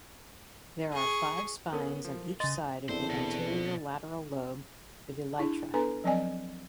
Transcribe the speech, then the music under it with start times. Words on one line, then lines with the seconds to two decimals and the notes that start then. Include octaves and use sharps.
There are five spines on each side of the anterior lateral lobe of elytra.
0.93 G#4 C#6
1.73 B3 C#4 A4 A#4
2.05 F3
2.40 C#3 D#5 C6 A6
2.89 E2 C4 D4 A4 C5
3.10 B2
5.38 D4 E4 G#4 A5
5.74 B3 D4 A4 B4 G#5 A#5
6.04 F3 F#3 C4 D5 D#5 G#5